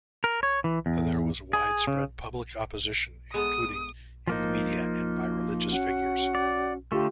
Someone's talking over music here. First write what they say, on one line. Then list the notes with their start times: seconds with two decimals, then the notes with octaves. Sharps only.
There was widespread public opposition including in the media and by religious figures.
0.24 A#4
0.43 C#5
0.64 E3
0.86 E2
1.53 G#4
1.87 C#3
3.34 G#3 B3 A4 D#6
4.27 F3 A#3 D#4
5.70 C#4 F#4 F#5
6.35 D5
6.92 D3 A3 F4 G4